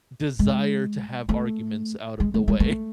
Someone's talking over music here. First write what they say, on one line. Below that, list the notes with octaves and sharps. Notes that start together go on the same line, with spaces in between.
desire to have arguments out of the way.
G#3
A3
G#3
A3
G#3
A3